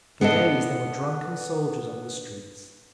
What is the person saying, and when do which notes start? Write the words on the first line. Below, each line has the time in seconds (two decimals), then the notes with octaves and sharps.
For days there were drunken soldiers on the streets....
0.21 B3 D4 A4 D#5